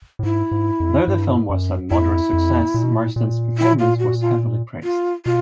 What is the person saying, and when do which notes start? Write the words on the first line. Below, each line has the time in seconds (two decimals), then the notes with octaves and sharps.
Though the film was a moderate success, Marsden's performance was heavily praised.
0.19 A2
0.23 G#2 E4
0.51 G#2
0.80 F2
1.08 G2
1.50 F#2
1.90 F2 E4
2.33 F2
2.74 A#2
2.83 B2
2.93 A#2
3.16 A#2
3.58 E4
3.79 F4
3.99 F#4
4.21 F4
4.84 F4
5.25 B2 F4